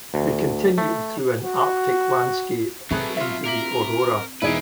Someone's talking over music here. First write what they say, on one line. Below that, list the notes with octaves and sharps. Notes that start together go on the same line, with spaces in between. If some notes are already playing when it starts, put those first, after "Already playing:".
They continue through an arctic landscape and into the aurora.
D2
A3
F#4
B2 F#3 A3 B3 C4 G#4
F4 E5
A#4 D6 B6 F#7
E1 A#3 D#4 E4 G#4 B4 D7